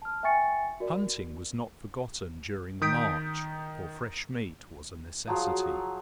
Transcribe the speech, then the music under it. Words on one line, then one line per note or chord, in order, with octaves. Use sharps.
Hunting was not forgotten during the march, for fresh meat was a necessity.
A5 F6
E5 G5 G#5 C#6 A6 C#7
F#4 A#4 D5
D#3 D#6 G6 B6 D7
F3 F#3 G#4